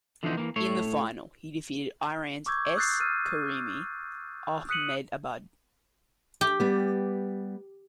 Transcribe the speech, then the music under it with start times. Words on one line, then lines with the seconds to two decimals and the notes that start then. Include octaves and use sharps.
In the final he defeated Iran's S Karimi Ahmedabad.
0.23 D3 E3 F3 B3 D4 D#4
0.37 E3 A#3
0.56 A2 A3 C#5
2.46 C#6 D6 E6 G6 G#6
2.76 D#6 E6 F#6 G6 A6 C7
3.00 E6 F6 A6 D#7
4.69 D#6 F#6 B6 C#7 D#7 F#7
6.41 G4
6.60 G3 B3